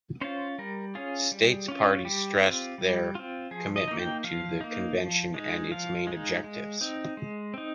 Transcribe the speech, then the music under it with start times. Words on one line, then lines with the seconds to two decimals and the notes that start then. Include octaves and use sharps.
States parties stressed their commitment to the Convention and its main objectives.
0.21 C#4 F4 C5
0.58 G3 A#4
0.95 C#4 F4 G#4
1.32 G3
1.68 C#4 F4
2.05 G3 G4
2.41 C4 F4
2.78 G3
3.15 C4 F4
3.51 F3 G#4
3.76 D#5
3.88 A#3 D#4
4.00 G5
4.24 F3 F5
4.61 A#3 D#4
4.98 F3
5.34 G#3 D#4
5.71 F3 F5
6.07 G#3 D#4
6.44 G#3
6.81 C4 D#4
7.17 G#3
7.54 C4 D#4